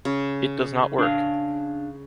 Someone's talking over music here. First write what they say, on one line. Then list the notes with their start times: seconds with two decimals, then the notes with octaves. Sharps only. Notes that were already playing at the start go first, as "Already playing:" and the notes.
It does not work.
0.05 C#3
0.98 D4 F5